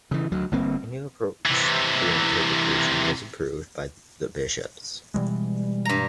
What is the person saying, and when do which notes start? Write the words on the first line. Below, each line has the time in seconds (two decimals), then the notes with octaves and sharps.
A new approach to interpretation was approved by the bishops.
0.11 C#3 E3
0.32 D2 F#3
0.52 G1 G2 A#3 C4
1.45 C3 E3
5.14 B2 E3 G3 G#3
5.85 G2 A#5